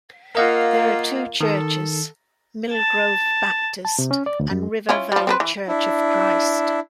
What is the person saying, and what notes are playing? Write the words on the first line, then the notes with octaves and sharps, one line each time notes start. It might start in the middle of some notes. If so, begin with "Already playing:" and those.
There are two churches, Millgrove Baptist and River Valley Church of Christ.
A#3 F4 A#4 D#5 F#5
D#3 A4
A5
A5
C3
C#4
D5
D2
F#2
C#4 E4 F4
F3 G3
C4 A#4 B4
E3
D4 E4